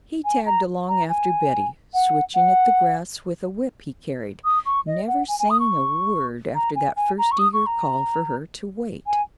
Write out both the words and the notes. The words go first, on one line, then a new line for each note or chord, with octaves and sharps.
He tagged along after Betty, switching at the grass with a whip he carried, never saying a word after that first eager call for her to wait.
G#5
A#5
A#5
G#5
F#5
F#5
D#6
C#6
D#5
F#5
G#5
G#5
D#6
C#6
A#5
G#5
G#5
A#5
C#6
D#6
C#6
A#5
G#5